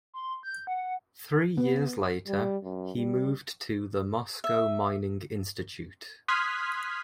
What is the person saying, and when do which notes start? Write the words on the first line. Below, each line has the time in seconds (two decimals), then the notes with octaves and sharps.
Three years later, he moved to the Moscow Mining Institute.
0.14 C6
0.43 G6
0.67 F#5
1.57 B3
2.27 G3
2.64 F#2
2.97 G3
4.44 E5
6.28 C6 D#6 F6 F#6 G#6 B6